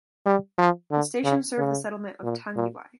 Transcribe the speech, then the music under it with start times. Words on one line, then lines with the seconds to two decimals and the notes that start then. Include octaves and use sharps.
The station served the settlement of Tangiwai.
0.26 G3
0.59 F3
0.91 D3
1.24 C#3
1.58 C#3
2.23 A#2
2.56 A#2